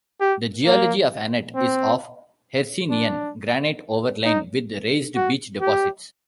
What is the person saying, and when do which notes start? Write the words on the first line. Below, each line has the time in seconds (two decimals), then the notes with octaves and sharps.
The geology of Annet is of Hercynian granite overlain with raised beach deposits.
0.21 G4
0.66 A#3
1.56 C4
2.90 D4
4.25 D#4
5.16 F#4
5.61 G4